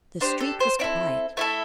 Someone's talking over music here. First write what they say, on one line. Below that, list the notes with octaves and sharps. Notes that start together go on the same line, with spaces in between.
The street was quiet.
D4 G4 C5
A4
C5
C4 E4 A4 D5
A3 E4 A4 E5